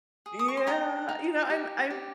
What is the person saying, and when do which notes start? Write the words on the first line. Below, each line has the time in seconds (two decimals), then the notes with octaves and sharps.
Yeah, you know, I'm I'm
0.26 G#4
0.39 D#6
0.48 C#6
0.57 C6
0.67 D#4 G5 A#5
1.09 D#4
1.50 G4
1.90 G4